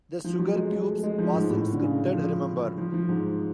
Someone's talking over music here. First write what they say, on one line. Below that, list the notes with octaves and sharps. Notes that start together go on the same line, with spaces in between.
The Sugarcubes wasn't scripted, remember.
F3
F#3
G#3
G#3
A3
G#3
F3
G#2
A2
D3
C#3
F3
F3
F3
G#2